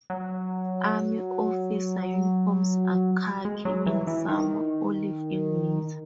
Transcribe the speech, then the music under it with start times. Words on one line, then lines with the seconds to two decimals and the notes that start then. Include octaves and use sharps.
Army officer uniforms are khaki in summer, olive in winter.
0.10 F#3
3.45 G#3
3.65 F#3
3.86 E3
4.07 E3
4.28 D#3